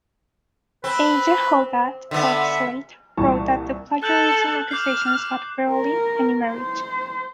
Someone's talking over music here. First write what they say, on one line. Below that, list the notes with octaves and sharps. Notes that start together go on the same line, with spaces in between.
Aja Hoggatt of "Slate" wrote that the plagiarism accusations had "barely" any merit.
C4 B4
D3 B3 E5
C2 A#2 E3 A5 C#6
A4 F#6 G6 F#7
D6 F6 G6 C7
A#4
C5